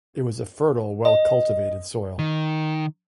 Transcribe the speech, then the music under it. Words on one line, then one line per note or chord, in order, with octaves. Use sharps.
It was a fertile, well-cultivated soil.
D#5
D#3